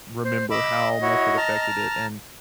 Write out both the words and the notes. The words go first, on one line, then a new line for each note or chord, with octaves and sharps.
remember how much it affected it and,
C5
D#5 B5 D6 E6
E4 F#4 C#5
A5 A#5 F6